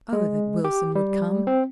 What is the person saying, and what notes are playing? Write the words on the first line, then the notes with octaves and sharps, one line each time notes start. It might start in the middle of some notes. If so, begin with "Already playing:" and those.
Oh, that Wilson would come!
G#3
G4
G3
C4